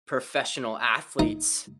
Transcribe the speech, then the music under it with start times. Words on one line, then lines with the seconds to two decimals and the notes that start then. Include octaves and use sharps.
professional athletes
1.19 D#4